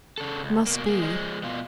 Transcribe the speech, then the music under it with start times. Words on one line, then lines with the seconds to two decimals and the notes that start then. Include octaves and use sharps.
Must be.
0.18 C#3 A4
0.43 C#2
0.67 B2 A#3
0.86 A#3 G#4
1.02 F3 G#3
1.43 B2 F4